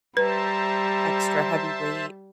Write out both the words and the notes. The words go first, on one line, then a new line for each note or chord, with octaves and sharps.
extra, heavy weight.
G3 B4 C5 E5 A5 A#5